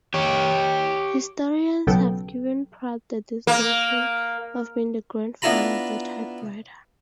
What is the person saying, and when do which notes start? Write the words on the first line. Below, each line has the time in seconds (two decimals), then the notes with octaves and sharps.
Historians have given Pratt the designation of being the "grandfather" of the typewriter.
0.14 G4 C#5
1.87 B1 C#3 F#3 B3 A4 G5
3.47 A#3
5.42 B3 D4 E4 F4 A#5 B5